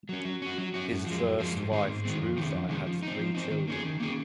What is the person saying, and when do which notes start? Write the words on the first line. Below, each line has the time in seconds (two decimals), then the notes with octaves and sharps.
His first wife Chiruthei had three children.
0.09 F#3 C#4
0.25 F#3
0.42 C#4 F#4
0.58 F#3
0.74 C#4 F#4
0.91 F#2
1.06 F3 G#3
1.23 F#2
1.40 F3 G#3
1.56 G#2
1.72 D#3 G#3 C4
1.88 G#2
2.05 D#3 G#3 C4
2.22 F2
2.37 C3 D#3 G#3 C#4
2.54 F2
2.69 C3 D#3 G#3 C#4
2.86 F3
3.03 C4 D#4
3.19 F3
3.35 C4 D#4
3.51 D#3
3.67 A#3 C#4 G#4
3.84 D#3
4.00 A#3 C#4 G#4